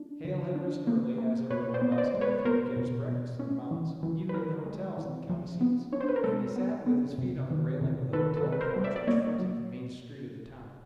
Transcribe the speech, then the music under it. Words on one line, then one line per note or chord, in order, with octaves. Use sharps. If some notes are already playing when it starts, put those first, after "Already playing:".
Hale had risen early, as everyone must if he would get his breakfast in the mountains, even in the hotels in the county seats, and he sat with his feet on the railing of the hotel porch which fronted the main street of the town.
Already playing: D4
D3
D4
A#3
A#3
B2 B4 C#5
C5 D5
B3
D#5
C5 D5
G#3
B4 C#5
B3 A#4 C5
B2
B2
C#4
E3
E3
B4
E3 A#4
G#3
E3
F3
B3
D4 C#5
C5
B4
A#4
G#3 A4
B3
B3
C3
D#3
C3
D#3 A4 B4
A4 B4
C3
B4
A#4 C5
G3
D5 E5
D5
A#3 C#5 D#5
F#3